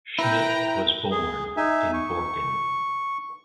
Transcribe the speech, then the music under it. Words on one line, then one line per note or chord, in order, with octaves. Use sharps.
Schmidt was born in Borken.
E4 B4 G5 A#5
G#4
D#4 E5 G#5
C#6